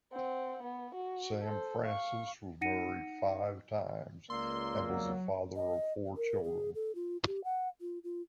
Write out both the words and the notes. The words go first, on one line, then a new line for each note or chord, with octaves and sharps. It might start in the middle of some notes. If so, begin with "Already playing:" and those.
Sam Francis was married five times, and was the father of four children.
C4 F#5
B3
F#4
A4 C5
F5 C#6
D#4 F#5 A#6 C#7 D#7
C#2 A#3 D5 C6 E6
F#3
D#5
A#4
G#4
A4
F4
G4
F#5
F4
F4